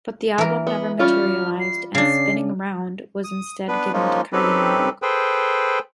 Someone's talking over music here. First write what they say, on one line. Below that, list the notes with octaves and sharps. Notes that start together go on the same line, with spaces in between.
But the album never materialized, and "Spinning Around" was instead given to Kylie Minogue.
E3 A#4
B3
G3 C#4 F4 F6
C7
C#3 D4 C7
D#6
B3 D4 B4
F3 G#3 A#3 C#4 D#4 F4
C4 C#4 D#4 G4 A4 B4
G#4 A4 B4 C5 G5